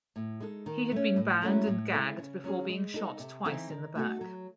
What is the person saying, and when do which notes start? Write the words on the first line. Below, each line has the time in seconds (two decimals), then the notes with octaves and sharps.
He had been bound and gagged before being shot twice in the back.
0.16 A2
0.40 G#3 D#4 A4
0.66 D#3
0.92 A3 C#4
1.16 A2
1.42 F#3 A3 C#4 E4
1.67 A2
1.93 G#3 C4 E4 A4
2.18 C#3
2.44 F#3 C#4 G#4
2.69 G#3
2.94 D#4 A4
3.19 C3
3.45 E3 C4 D#4 A4
3.70 D#3
3.95 A3 D#4 F#4 A4
4.21 F#3